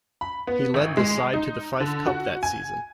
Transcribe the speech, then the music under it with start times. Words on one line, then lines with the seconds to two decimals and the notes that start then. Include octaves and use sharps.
He led the side to the Fife Cup that season.
0.21 B5
0.47 B3
0.74 G#1
0.97 G#3
1.34 D#4
1.80 D3
2.06 F#4
2.43 G#5